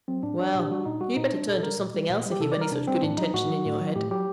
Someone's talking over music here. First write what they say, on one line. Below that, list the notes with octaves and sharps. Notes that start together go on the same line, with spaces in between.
'Well! you'd better turn to something else, if you've any such good intention in your head.
F#3 C4
A2 D4
F#3 D4
A#2 G4
G3 F#4
A#2 D#4
G3 F#4
A#2 D#4
G3 D4
A#2 A4
G3 A#4
A#2
G3
A#2
G3
G4
C3 A4
D5
G3 A#4
C3 D4
G3 C4
A2 D4
F#3 D#4
A2 F#4
F#3
A2
F#3
A2 G4
F#3 G4